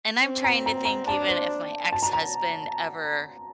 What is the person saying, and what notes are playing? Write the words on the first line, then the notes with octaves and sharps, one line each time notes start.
And I'm trying to think even if my ex-husband ever
C4
A#5
A#5
A#5
D4 A5
C5
A5
A#5
A#5